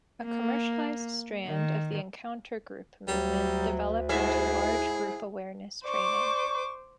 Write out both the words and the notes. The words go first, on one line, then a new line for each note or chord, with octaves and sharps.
A commercialized strand of the encounter group movement developed into large-group awareness training.
A#3
D#3
D2 F#3 G3
G#2 E4 G#4 E5
C5 D5 C#6 D6